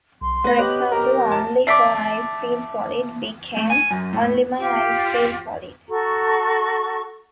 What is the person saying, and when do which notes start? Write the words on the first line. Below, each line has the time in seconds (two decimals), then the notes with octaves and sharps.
For example, "Only her eyes feel solid" became "Only my eyes feel solid".
0.21 B1 C6
0.44 A3 B3 B4 A#6
0.59 G4 C#5 D#5 F#6
0.92 G4 A#4
1.32 A5
1.67 A3 D5 D6 B6 C7
3.57 A3
3.70 G#5
3.91 F#2
4.13 A2
4.57 F4 G4 G5
5.88 F#4 A4 A#5 C#6